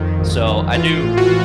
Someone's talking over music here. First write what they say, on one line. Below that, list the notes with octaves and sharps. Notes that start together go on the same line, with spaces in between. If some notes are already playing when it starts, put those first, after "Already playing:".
So, I do
Already playing: F2 D#3
G#1
G#1
E3 F4
A2
F#4